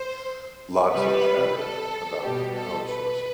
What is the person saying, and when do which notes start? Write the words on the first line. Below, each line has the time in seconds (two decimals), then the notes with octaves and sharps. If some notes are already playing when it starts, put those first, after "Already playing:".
Lots of chatter about outsourcing.
Already playing: C5
0.90 C3 G3 B4
1.57 A4
2.22 B2 G3 G4
2.55 A4
2.88 B4